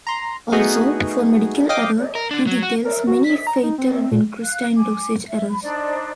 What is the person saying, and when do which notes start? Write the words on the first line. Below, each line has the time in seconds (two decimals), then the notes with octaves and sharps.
Also, for medical error, he details many fatal vincristine dosage errors.
0.07 A#5 C6
0.52 A3 B3 D#4 F#4 G#4
1.69 D#5 F5 G5 D6 D#6
2.15 A#4
2.31 D3 D4
2.47 F#3
2.63 F#4
2.85 A#4
3.07 F#4
3.24 B6
3.47 A#5
3.63 D#4
3.78 C4
4.12 A#2
4.44 F5 F#6
4.76 G#5 D6
5.27 E5
5.49 B5
5.62 D4 D#4 C5 D5